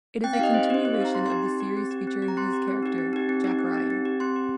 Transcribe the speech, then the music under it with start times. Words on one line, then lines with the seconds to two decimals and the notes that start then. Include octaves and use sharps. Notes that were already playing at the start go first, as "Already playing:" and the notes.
It is a continuation of the series featuring his character Jack Ryan.
0.24 C4 G5
0.33 F5
0.39 D#4 G4 D#5
0.54 C4 C5
0.64 D#5
0.69 D#4 G4 C5
0.85 C4 C5
0.94 F5
1.00 D#4 G4 A#5
1.15 C4 C6
1.26 C6
1.30 D#4 G4
1.46 C4 C6
1.61 G4
1.77 C4
1.91 G4
2.07 C4
2.22 G4
2.28 A#5
2.37 C4 C6
2.53 G4
2.68 C4
2.83 D#4 G4
2.98 C4
3.13 D#4 G4
3.29 C4
3.44 D#4 G4
3.59 C4
3.74 D#4 G4
3.90 C4
4.05 G4
4.20 C4 C6
4.36 G4